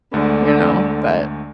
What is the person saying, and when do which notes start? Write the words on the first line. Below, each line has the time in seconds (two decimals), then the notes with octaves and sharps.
You know, but
0.14 D2 D3 G#3 A3